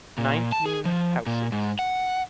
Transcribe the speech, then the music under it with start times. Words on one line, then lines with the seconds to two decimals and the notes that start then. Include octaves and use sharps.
Nineteen houses.
0.18 A#2
0.52 A5
0.66 G#4
0.85 F3
1.27 A#2
1.52 G#2
1.79 F#5